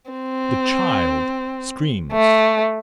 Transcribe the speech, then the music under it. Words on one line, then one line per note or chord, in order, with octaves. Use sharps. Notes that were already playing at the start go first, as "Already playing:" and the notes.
The child screams.
C4
A3